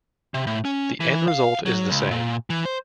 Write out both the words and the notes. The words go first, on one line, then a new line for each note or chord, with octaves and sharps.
The end result is the same.
C3
A2
C#4
E3
F5
F#3
C#2
A#2
E3
C5